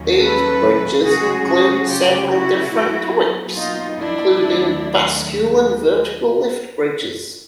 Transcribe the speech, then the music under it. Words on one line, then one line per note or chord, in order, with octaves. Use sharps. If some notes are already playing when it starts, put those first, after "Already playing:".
These bridges include several different types, including bascule and vertical lift bridges.
Already playing: D#2 D#3 F#3 A#3 C#4
A4 B4
C#3 F#3 A3 C#4 F#4 G#4
F#4 G#4
F4 G4
E4 F#4
A#2 F#3 B3
D#4 F4
D4 E4
D#2 D#3 F#3 A3